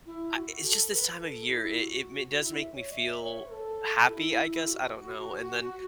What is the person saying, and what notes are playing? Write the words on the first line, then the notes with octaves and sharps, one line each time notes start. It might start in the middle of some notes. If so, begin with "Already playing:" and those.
a it's just this time of year. It it m does make me feel happy, I guess. I don't know. And then
E4
F#4
A4
B4
B4
A4
E4
F#4
F#4
E4
E5
C#5
E5
C#5
A4
E4
A4
F#4